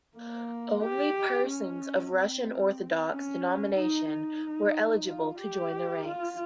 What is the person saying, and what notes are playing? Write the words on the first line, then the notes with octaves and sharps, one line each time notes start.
Only persons of Russian Orthodox denomination were eligible to join the ranks.
A#3
G4
C#4
C4
C#4
D#4
D#4
F4
G4
F4